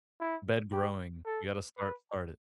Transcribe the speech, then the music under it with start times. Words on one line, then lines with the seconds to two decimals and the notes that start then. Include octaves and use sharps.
Bed growing. We gotta start start it.
0.20 E4
0.72 G4
1.25 A4
1.77 B4